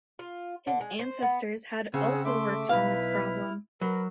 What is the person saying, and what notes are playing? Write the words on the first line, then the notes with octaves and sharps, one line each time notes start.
His ancestors had also worked on this problem.
F4
D3
G#3
C5
B3
C#3 C4 G#4 F#5 E6
A3 E5 C6 D6
B1 E4 B4 F5 F6
F#3 A#4 B4 B5